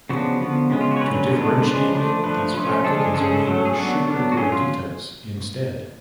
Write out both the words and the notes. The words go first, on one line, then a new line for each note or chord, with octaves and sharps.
To differentiate it, these flat cookies are named "sugar gorditas" instead.
C#3 F3 B3 D4 F#4
D3 F3 B3
C#3 G#3 B3
F4
F#4
C#5
D3 F#3 C#4 B4
D3 G#3 B3 D4
C#3 F3 G#3 D4 B4
F3 A3 D4
F3 A3 D4 B4
F3 A3 C#4
F3 G#3 D4 A4
G#4
C#3 G#3 C#4 A4
G#4
A4
F#3 A3 C#4
A4
G#4
F#3 B3 D4 F#4
F#3 B3 D4
F#4
F#3 C#4 G#4
F4